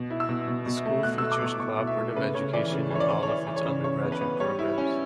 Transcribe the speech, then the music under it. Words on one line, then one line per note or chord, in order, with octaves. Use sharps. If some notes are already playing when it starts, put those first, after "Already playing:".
The school features cooperative education in all of its undergraduate programs.
Already playing: B2
E4
E6
B2
B2
B2
A3
B2 F#6
E6
A3
D6
B2 C#6
B2 C#6
B2
E5
A3
C#3 B4
C#3 C#5
E3 D5
C#3
E3 C#5
D5
E3
C#5
E3 D5
E3
C#5
C#3
C#3 C#5
B3
B4
B3
G3 C#5
E4
C#4